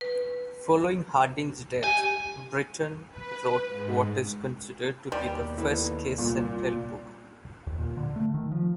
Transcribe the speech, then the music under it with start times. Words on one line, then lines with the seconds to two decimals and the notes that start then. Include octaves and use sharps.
Following Harding's death, Britton wrote what is considered to be the first kiss-and-tell book.
0.01 B4
1.84 G4 G#5
3.10 B4
3.68 G#2
5.12 D#2 B2 G3
5.58 E4 A4 B4
6.18 C2 A#2
7.67 D#2
7.78 A#2
7.97 D3
8.16 A3
8.34 D#3
8.52 F3